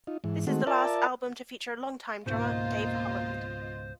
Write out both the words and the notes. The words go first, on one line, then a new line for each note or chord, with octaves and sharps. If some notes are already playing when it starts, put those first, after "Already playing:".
This is the last album to feature long-time drummer Dave Holland.
D#4 F4
G#2 E3
D#3 G#3 A3 C4 F#4
F4 A#4 D5 E5 A5
C#2 G#2 B2 A#3 B3 F4 C5 D#5